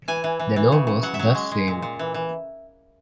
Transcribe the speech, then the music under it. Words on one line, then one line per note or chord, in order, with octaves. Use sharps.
The law was thus saved.
E3 G#5
E3
E3
E3
C#3
C#3
F#3 F#5
E5
F#3
G#3
G#3
A#2
A#2
E3
E3